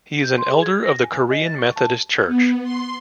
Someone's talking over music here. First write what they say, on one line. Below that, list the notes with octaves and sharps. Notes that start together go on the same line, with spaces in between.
He is an elder of the Korean Methodist Church.
G6
C6
G#4
G#6
A#6
G#5
D#5
A6
C#6
A5
B3
C6